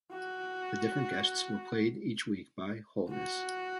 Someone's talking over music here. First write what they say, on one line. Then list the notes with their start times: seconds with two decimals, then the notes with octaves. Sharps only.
The different guests were played each week by Holness.
0.12 F#4
3.10 F#4